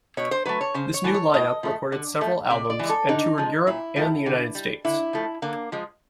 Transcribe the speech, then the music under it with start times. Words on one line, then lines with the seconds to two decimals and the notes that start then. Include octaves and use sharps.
This new line-up recorded several albums and toured Europe and the United States.
0.17 B2 C#5
0.31 C5
0.45 F#3 A3 B4
0.61 C#5
0.74 C#3 C5
0.94 C#5
1.04 E3 A3
1.14 C#5
1.34 A2 D#5
1.63 F3 A3
1.92 D3
2.21 F3 A3
2.50 C3 D5
2.70 D5
2.79 E3 G#3
2.89 A4
3.09 D3 D#4
3.38 F3 G#3
3.67 A#2 E4
3.96 F3 A3
4.26 D3
4.55 G3
4.85 D3 E4
5.13 F3 A3
5.42 D3 A#3
5.72 F3 G#3